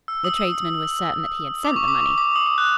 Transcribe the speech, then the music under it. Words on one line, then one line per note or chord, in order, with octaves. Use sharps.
The tradesman was certain that he had sent the money.
E6
D#6
D6
C#6
D6
C#6
D6
D#6
D#6
F#6